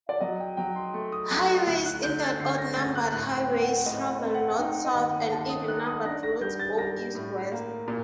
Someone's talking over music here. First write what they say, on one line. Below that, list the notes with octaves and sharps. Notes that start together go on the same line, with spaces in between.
Highways in that odd numbered highways travel north-south and even numbered routes go east-west.
D5
F#3 D#5
G5
F#3 G5
C6
A3
D#6
F#3 F#6
F#6
D2 F#6
F#6
D3 G6
A6
D3 C7
A#6
D2 A6
F#6
A2 F#6
G5
C4
F#5
A2 D#5
D#5
C4
F#5
D#4 G5
F#5
D#5
D#2 F#5
D#2 A5
D#6
D#4 F#6
D#6
D4 A#6
A#6
G3 G6
A6
G3 A#6
A2
A#3
A#2